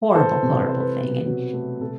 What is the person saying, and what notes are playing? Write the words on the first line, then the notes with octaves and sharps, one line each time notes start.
horrible, horrible thing, and,
E3 A4 C5
C3
B4
C3 C5
B4
B2
F#3
A3
C3 A4